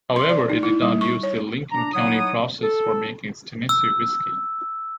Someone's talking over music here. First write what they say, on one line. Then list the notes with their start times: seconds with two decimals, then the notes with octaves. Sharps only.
However, it did not use the Lincoln County Process for making its Tennessee whiskey.
0.16 C6
0.29 D5
0.50 D#4
0.63 E4
0.82 G3
1.01 C#6
1.23 C#5
1.71 D4 A#5
1.93 F#3 D#4 E4 C#5 F#5 D#6
2.60 A4
3.69 E6